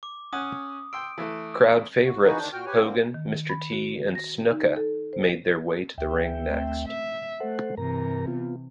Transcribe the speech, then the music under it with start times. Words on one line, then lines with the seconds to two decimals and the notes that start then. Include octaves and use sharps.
Crowd favorites Hogan, Mr. T, and Snuka made their way to the ring next.
0.03 D6
0.33 C#4 F#5 G#5 D#6
0.93 G5 C6 E6 D7
1.18 E3 A3
2.03 F#4
2.22 E3 A#3 D#4 F#4 G#4 B4
2.39 D2 D#3 D4 G6
2.53 A#2 F#4 G5 F6
2.66 G4 B4 C#5 G#5
2.80 D3 A#3 C4
3.14 D#3
3.49 B5
3.72 F#4
4.15 A#6
4.51 D#4
4.76 A4
5.13 C5
5.98 D2 E5 G5
6.47 A3 C4
6.88 E5
7.40 A3 A4 C5 F#5
7.77 G2 C3 E3 A#4 A#5
8.27 B3 F4